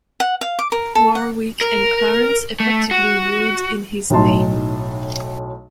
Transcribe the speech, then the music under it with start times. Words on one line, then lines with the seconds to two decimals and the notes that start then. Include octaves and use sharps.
Warwick and Clarence effectively ruled in his name.
0.20 F#5
0.41 F5
0.59 D6
0.72 A#4
0.95 A4
1.15 F#5
1.61 A#4
2.60 A3
2.91 F#4
4.10 B1 A2 F#3 D#4 A5 C6